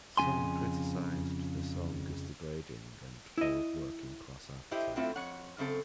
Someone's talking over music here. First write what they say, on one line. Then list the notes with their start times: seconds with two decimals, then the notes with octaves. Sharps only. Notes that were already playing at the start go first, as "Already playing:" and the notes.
Some criticized the song as degrading and full of working-class archetypes.
0.17 F2 C#3 D4 G#5 C6
3.38 E4 D#5
4.71 E4 G4 C5 D#5
4.96 A2 F#3 A3 C4 F4 E5
5.16 F2 C#5 F#5
5.58 F#2 C#3 C4 A4